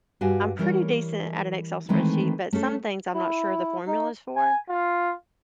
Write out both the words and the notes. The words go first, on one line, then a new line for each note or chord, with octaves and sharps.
I'm pretty decent at an Excel spreadsheet, but some things I'm not sure the formulas for.
G2 F#4 G4 F5 G#5
E3 G3 A#4 C#5
D#3 E3 G#3 A3 C4 D#4
A3 C#4 G#4 A4
E4
D#4
G#5
F4